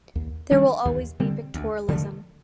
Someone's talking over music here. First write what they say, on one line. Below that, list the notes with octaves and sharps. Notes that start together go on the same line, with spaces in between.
There will always be pictorialism.
D#2
D#3 G3 D4
D#2
D3 G3 C4
D2
D3 F3 A3